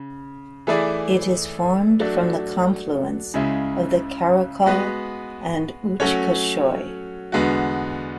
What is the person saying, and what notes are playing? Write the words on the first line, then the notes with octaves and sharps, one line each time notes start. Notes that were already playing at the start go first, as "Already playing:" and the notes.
It is formed from the confluence of the Karakol and Uch-Koshoy.
Already playing: C#3
E3 A3 E4 G#4 D5
F#3 A3 D4
C#2 C#3 G#3 C#4 E4
G#3 B3 F#4 B4
F#3 A3 C#4 F#4 C#5
E2 D3 G#3 B3 F#4